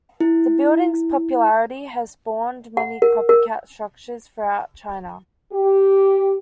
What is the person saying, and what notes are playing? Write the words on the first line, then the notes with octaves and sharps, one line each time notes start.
The building's popularity has spawned many copycat structures throughout China.
E4
F#5
A#4
A#4
G4